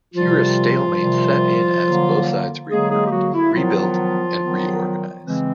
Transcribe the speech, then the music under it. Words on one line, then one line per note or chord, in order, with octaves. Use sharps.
Here a stalemate set in as both sides regrouped, rebuilt and reorganised.
C3 D#3 F3 G3 F4
C3 D#3 G3
D3 F#3 A#3
D3 F#3 G#3 A#3 G#4
G#3 G#4
G4
F#3 F#4
E4
D#3 F3 F#3 B3 F4
D#3 F#3 B3
C#3 E3 G#3 C4